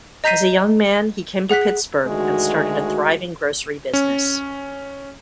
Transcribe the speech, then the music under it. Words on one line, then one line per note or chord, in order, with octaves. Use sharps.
As a young man he came to Pittsburgh and started a thriving grocery business.
D#5 A#5 G6 B6 C7 D#7
G#4 F#5 F#6 B6
D2 D#3 G#3 F#4
C#4